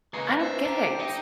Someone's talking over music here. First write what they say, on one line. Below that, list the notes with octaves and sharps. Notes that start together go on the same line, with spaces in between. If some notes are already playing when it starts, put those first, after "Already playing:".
I don't get it.
C#3 G#3 A#3 D#4 B4
C5 E5
D4 G4 A#5
D#4 D#5 G5